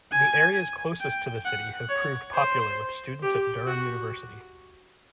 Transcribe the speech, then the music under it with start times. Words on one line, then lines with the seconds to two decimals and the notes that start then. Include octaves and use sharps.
The areas closest to the city have proved popular with students at Durham University.
0.12 G#5
1.01 G5
1.45 F#5
1.89 C#5
2.35 C5
3.23 G4
3.67 F#4